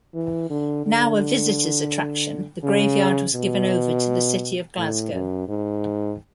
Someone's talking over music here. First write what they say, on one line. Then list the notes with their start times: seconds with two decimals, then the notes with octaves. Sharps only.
Now a visitors' attraction the graveyard was given over to the city of Glasgow.
0.14 E3
0.50 D3
0.85 D3
2.63 C#3
3.35 B2
4.77 A2
5.13 F#2
5.48 G#2